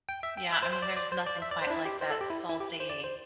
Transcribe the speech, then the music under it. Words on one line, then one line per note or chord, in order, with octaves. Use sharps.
Yeah, I mean, there's nothing quite like that salty,
G5
E5
G5
E5
C5
C5
D5
D5
C5
D5
E5
D5
C5
D4
E4
G4
C5
A4
G4
E4
E4
G4
C5
D5
C5